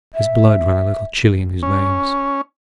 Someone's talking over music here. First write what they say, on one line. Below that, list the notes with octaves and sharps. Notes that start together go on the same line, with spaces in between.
His blood ran a little chilly in his veins.
E5
C#4